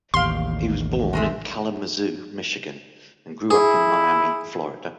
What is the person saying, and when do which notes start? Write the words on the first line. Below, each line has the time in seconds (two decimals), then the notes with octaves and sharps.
He was born in Kalamazoo, Michigan and grew up in Miami, Florida.
0.14 A1 D#2 G4 F5 C6
1.13 C3 G#3 A3
3.51 E4 G#4